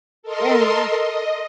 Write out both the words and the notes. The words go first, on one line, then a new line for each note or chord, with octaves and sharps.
Yeah, yeah.
A4 A#4 D#5 C6
D#5